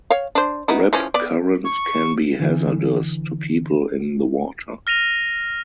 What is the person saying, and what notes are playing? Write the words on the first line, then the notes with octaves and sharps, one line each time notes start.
Rip currents can be hazardous to people in the water.
C#5 F5
D4 C5
B3 D#4 E4
E3 F3 C#4
B3 D5
C#6
D3 E3
F6 A#6 D#7 F7